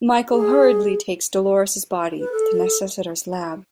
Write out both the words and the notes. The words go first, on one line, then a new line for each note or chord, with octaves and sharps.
Michael hurriedly takes Dolores's body to Necessiter's lab.
G#4
B4
A4